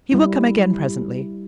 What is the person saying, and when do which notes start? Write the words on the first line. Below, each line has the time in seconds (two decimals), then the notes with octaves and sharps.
He will come again presently.
0.12 G3 E4